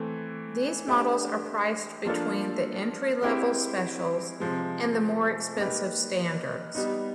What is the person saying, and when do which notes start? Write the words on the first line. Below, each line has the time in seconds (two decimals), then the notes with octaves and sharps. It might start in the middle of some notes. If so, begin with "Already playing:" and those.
These models are priced between the entry-level Specials and the more expensive Standards.
Already playing: E3 A3 C4
0.87 A3 D4 G4 C5 E5
2.05 F3 A#3 D4 F4 A4
3.22 G#3 C4 E4 G4
4.40 C3 F3 G#3
5.57 A#3 D#4 G4 B4
6.75 G3 B3 D#4